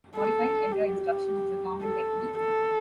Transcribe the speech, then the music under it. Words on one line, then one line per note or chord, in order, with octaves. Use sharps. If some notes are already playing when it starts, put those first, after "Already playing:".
Modifying entire instructions was a common technique.
A4
G4
A4
A4